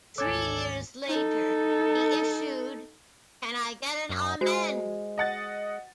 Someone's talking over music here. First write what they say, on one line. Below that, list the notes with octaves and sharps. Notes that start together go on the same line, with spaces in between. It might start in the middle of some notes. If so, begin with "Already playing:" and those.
Three years later, he issued "Can I Get an Amen".
G#1 D2 A4 C#5 G#5 D6 G#6 A6
D#4 A4
F#2
G#3 F#4 C5
D#5 F#5 A6